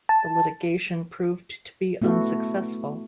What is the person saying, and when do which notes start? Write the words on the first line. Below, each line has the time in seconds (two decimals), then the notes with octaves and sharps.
The litigation proved to be unsuccessful.
0.09 A5
2.02 A3 B3 E4 F#4 A4